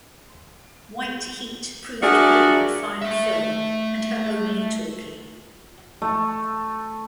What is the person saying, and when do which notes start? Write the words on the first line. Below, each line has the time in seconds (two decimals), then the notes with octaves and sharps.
"White Heat" proved to be her final film, and her only talkie.
2.01 D4 F#4 G#4 A#4 D5 E5
3.02 A3 E5
6.02 A3